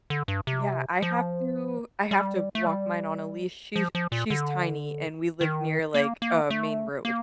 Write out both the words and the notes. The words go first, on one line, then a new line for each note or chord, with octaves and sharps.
Yeah, I have to I have to walk mine on a leash, she's she's tiny, and we live near, like, a main road,
D3
G2
C3
F3
G3
A3
G3
F3
F3
A#2
D3
D#3
A#3
A#3
A3
A#3